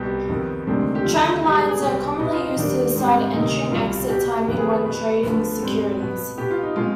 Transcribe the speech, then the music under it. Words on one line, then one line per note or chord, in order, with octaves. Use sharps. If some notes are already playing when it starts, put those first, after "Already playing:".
Trend lines are commonly used to decide entry and exit timing when trading securities.
Already playing: C2 B2 B3 G4
F2 D#3 B3
D2 C3 D#3 G#3 C4 D4
G4
D#2 D3 F3 F4
G#2 G3 B3 G4
G#4
G#4
C2 B2 B3 G4
B2 B3 D#4
F4
D#4
D#2 D#3 G3 D4
G#2 G3 C4
D2 C3 D#3 D#4
C2 B2 G3 F4
B2 B3 G4
F2 D#3 B3 B4
G#4
B4
B2 B3 B4
D2 D3 F3 B3 B4
G#2 G3 C4
B2 B3
B2 B3 G4
F4
D#4
B2 G#3 C4 F4